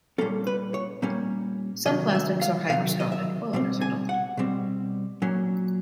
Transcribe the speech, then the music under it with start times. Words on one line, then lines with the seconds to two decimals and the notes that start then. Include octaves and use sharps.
Some plastics are hygroscopic while others are not.
0.18 A#2 G3 A#3 C#4 A4
0.47 B4
0.74 C#5
1.02 A#2 G3 A#3 C#4
1.85 C3 D#3 F#3 D#5
2.15 E5
2.42 F5
2.70 C3 D#3 F#3 F5
3.00 D#5
3.12 E5
3.53 B2 G3 C4
3.81 G#5
4.09 F#5
4.37 B2 G3 C4
5.22 A#2 F#3 A#3 C#4